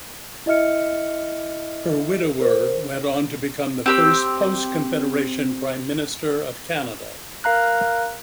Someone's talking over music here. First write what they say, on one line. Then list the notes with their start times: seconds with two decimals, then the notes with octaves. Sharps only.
Her widower went on to become the first post-Confederation Prime Minister of Canada.
0.46 E4 D#5 E5 F6 C#7
2.41 A#4 C5
3.86 C4 G4 E6
7.44 A#4 F5 A#5 F#6